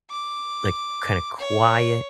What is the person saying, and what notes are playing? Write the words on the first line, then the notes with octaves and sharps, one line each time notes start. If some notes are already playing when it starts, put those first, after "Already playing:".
like, kinda quiet.
D6
C#5